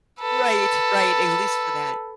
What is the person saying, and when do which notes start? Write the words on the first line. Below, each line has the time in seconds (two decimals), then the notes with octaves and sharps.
Right, right, at least for that
0.21 A4 B4